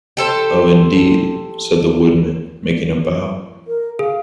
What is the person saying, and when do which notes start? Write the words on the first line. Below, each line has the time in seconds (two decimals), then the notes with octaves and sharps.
"Oh, indeed," said the Woodman, making a bow.
0.17 G4 A4 C5
3.67 A#4
3.99 G#4 F5